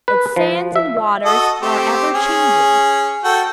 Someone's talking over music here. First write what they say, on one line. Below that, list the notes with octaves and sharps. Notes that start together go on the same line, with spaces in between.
Its sands and waters are ever changing.
B4
F3
E5
F#4 A4 D#5
A3 C4 G4
C#4 G#4
F#4 A4 G5